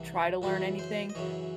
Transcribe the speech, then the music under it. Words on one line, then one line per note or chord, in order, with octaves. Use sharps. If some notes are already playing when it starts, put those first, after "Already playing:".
try to learn anything
Already playing: C2 C3 E3
F#2 C#3 E3 F#4
C5
D#5
F#2 C#3 E3 C#5